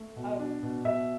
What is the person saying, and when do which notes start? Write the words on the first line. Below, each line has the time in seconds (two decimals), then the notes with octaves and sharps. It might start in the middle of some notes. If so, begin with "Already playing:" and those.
um, so
Already playing: A3
0.16 B2
0.39 D4
0.63 B2
0.85 B2 E5